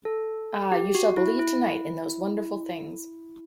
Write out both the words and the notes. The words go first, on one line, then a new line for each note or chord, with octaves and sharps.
Ah, you shall believe tonight in those wonderful things!
A4
G4
F#4
E4
E4